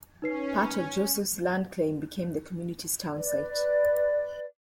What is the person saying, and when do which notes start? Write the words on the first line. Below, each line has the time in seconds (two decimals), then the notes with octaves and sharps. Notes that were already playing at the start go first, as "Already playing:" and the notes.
Part of Joseph's land claim became the community's townsite.
0.22 C#4 D#4 B4 C7
3.15 B4 D5